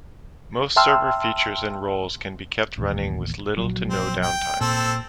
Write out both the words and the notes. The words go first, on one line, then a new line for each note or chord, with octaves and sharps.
Most server features and roles can be kept running with little to no downtime.
E5 G5 A5 C6 E6 F6
A1 D#2
A#1 F#3
C4
G5
A#2 C4 A4 E6